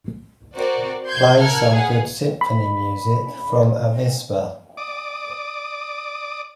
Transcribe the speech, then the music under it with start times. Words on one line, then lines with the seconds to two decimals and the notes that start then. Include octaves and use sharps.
Play some good symphony music from Avispa.
0.55 C4 F#4 A#4 D5
1.06 C6 G6 G#6
1.39 A4 A#4 F#5 F6 G#6
1.73 G#4 B4 F5 F#5
2.41 B5
4.77 D5 D6 D#6